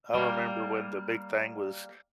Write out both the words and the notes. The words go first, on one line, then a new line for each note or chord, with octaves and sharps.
I remember when the big thing was
G3 A#3